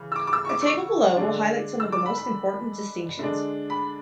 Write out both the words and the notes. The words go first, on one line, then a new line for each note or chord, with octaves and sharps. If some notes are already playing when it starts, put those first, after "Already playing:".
A table below will highlight some of the most important distinctions.
Already playing: C#3 E3
E6
D6
D6
E6
C#6
D6
D6
C#6
D3 G#3 D4
E6
D6
B5
B5
D3 G#3 D4
B5